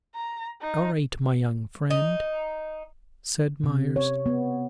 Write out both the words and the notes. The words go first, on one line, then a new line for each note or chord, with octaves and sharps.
"All right, my young friend," said Myerst.
A#5
D#4
D#4
C3
C#5
B3